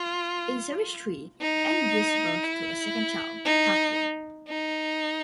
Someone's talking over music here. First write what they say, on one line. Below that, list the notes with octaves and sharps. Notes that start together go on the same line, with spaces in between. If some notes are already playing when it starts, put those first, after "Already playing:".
In series three, Ann gives birth to a second child; Tarquin.
Already playing: F4
D#4
E4
D#4
D#4